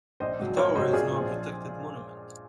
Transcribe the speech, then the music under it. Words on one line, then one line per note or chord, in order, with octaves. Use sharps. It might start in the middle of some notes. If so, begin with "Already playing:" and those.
The tower is now a protected monument.
A#1 C5 D#5
G#2 F#3
A#1 A#4 C#5
G#2 F#3 C5 D#5
A#1 F4 G#4
A#2 F3